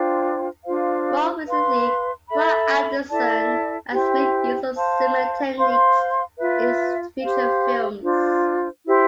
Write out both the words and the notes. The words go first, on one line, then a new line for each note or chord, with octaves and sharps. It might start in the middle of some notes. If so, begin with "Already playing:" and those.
More recently, Roy Andersson has made use of similar techniques in his feature films.
Already playing: D4 F4 C5 G5
D4 F4 C5 F5
B4 F5 C6
A4 E5 B5
E4 A4 D5 A5
E4 G4 C5 G5
C5 F5 A5
C5 F5 C6
F4 B4 E5
G4 C5 F5
D4 F4 C5
E4 G4 C5